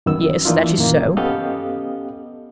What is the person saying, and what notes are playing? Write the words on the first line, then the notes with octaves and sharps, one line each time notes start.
"Yes, that is so."
F#2 D#3 B3 E6
E3 A#3 D4 D#4 F4
F#2 A#2 D#3 A#3 F4
B3 C#4 G4 A4 D#5 F5